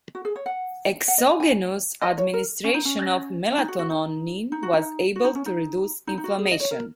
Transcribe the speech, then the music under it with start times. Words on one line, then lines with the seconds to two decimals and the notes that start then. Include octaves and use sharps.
Exogenous administration of melatonin was able to reduce inflammation.
0.15 F#4
0.25 G#4
0.36 C#5
0.46 F#5
1.08 F#5
1.18 D#5
1.29 G#5
1.40 G#5
2.02 D#5
2.18 C#5
2.33 A#4
2.64 C#4
2.74 D#4
2.85 C#4
3.52 C#4
3.58 D#4
3.68 F#4
3.79 F#4
3.90 D#4
4.52 D#4
4.63 F#4
4.73 D#4
5.16 F#4
5.24 D#4
5.35 C#4
5.46 D#4
6.07 D#4
6.18 D#4
6.24 F#4
6.39 G#4
6.51 D#5
6.60 C#5
6.71 A#4